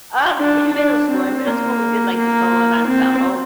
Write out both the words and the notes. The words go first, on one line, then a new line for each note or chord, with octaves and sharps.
Um, in middle school in middle school, we did like the solo ensemble,
D4
D4
C4
A#3
A#3
C4